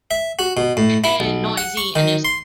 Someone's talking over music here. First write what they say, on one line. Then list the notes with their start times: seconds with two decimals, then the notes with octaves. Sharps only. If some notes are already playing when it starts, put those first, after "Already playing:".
and noisy, and there's
0.11 E5
0.39 F#4
0.57 B2
0.77 A2
1.04 E4
1.20 B1
1.58 F#5
1.77 C#6
1.96 D#3
2.25 C6